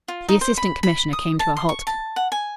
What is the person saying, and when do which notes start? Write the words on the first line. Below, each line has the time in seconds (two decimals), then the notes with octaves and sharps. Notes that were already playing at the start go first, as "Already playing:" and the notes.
The Assistant Commissioner came to a halt.
0.08 F4
0.29 D#4
0.41 C5
0.57 B5
0.83 B5
1.13 D#6
1.39 A5
1.57 C6
1.69 C#6
1.87 A5
2.16 F#5
2.32 G#5